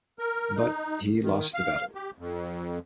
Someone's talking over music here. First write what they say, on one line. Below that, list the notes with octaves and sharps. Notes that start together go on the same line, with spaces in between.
But he lost the battle.
A#4
D#4
D#3
F5
G4
F2